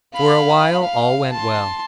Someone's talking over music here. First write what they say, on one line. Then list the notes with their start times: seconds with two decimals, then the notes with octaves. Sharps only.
For a while all went well.
0.14 F5 B5
0.82 F5
1.32 A5 C6